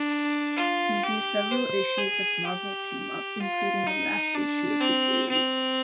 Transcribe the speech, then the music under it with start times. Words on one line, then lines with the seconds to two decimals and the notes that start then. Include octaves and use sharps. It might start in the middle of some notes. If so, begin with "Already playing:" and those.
He drew several issues of "Marvel Team-Up" including the last issue of the series.
Already playing: D4
0.56 F4
1.03 G4
1.51 C5
1.98 G#4
2.45 G4
3.40 F4
3.87 D#4
4.34 D4
4.81 C4
5.29 C4